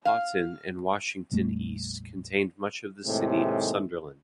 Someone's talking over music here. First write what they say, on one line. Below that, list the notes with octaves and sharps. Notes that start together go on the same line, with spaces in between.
Houghton and Washington East contained much of the City of Sunderland.
F5
A#1 F2 G3 A3
D#2 A2 C3 G#3 A3